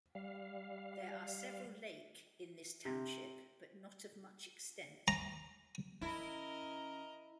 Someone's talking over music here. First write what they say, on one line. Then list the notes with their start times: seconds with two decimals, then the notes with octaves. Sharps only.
There are several lake in this Township but not of much extent.
0.15 G3 F5
2.85 C3
5.08 A#5
6.01 D#3 C#4 E4 A#4 D#5